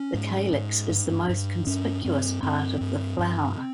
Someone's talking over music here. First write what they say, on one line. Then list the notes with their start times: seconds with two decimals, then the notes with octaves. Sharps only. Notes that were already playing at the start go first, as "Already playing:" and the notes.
The calyx is the most conspicuous part of the flower.
Already playing: C#4
0.14 G#2
0.53 G#2
0.90 G2
1.29 G2
1.67 G2 C#4
2.04 G2 C4
2.43 G2 C4
2.81 G2
3.19 G2